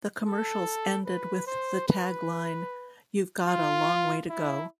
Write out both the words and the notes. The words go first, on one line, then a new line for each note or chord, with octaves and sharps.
The commercials ended with the tag line You've got a long way to go.
A4
B4
C5
B4
F4
E4